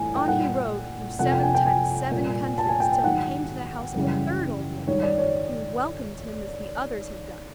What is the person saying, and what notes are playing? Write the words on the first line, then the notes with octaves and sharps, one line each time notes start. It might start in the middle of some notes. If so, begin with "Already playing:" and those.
On he rode, through seven times seven countries, till he came to the house of a third old woman, who welcomed him as the others had done.
Already playing: A2 E3 G3 G#5
G5
A#2 G3 F#5
F2 C3 F3 F#5
G5
G#5
G5
G#5
A#2 G3
A5
G#5
G5
G5
G#2 D#3 F#3 F#5
F#2 C#3 E3 G3
G#2 D#3 G3 C#5
D5
C#5